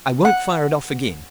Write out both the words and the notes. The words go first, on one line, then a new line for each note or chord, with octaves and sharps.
"I won't fire it off again."
F#5